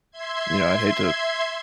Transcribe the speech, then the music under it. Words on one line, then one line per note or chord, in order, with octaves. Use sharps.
you know, I'd hate to
E5 C6 G#6